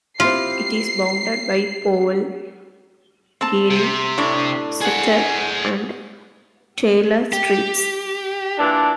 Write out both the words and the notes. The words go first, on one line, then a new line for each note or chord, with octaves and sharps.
It is bounded by Powell, Geary, Sutter, and Taylor Streets.
C4 E4 F4 G4 C7
C4 A5
C3
A2 D4
G#4 F#5
G4
A#2 E3 D4